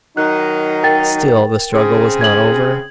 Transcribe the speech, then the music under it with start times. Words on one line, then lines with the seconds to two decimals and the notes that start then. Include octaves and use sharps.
Still the struggle was not over.
0.17 D#3 F#3 D#4 F#6
0.83 A#4 G5 A6
1.73 C#3 C4 G#4
2.21 G#6 F#7